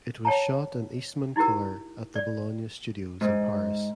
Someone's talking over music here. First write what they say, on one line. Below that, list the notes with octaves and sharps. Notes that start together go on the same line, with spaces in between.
It was shot in Eastmancolor at the Boulogne Studios in Paris.
C#5 G5 A5 A#5
D#4 E4 F#4 G4 A#4
D5
G#2